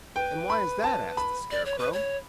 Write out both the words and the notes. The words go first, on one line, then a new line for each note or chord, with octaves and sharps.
"And why is that?" asked the Scarecrow.
B4 G5
B5
A5
B5
D5
C#5
B4
C#5